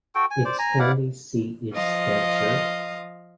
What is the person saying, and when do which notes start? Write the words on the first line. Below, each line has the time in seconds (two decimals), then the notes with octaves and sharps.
Its county seat is Spencer.
0.15 F#4 A4 G5
0.31 G#5
0.45 C5 D5
0.59 G#5 A#5
0.79 E4 D5 F5 F#5
1.73 F3 D#5 F5